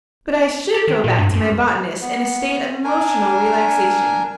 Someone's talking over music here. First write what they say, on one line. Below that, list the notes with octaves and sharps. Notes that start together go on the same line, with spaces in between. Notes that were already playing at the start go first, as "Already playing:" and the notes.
But I should go back to my botanist in a state of emotional relaxation.
G4
D#3
A#2
G2
F#2
B3
D4 A#4 G#5